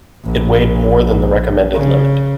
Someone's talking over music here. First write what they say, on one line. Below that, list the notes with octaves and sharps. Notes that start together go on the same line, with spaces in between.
It weighed more than the recommended limit.
A#1
C#3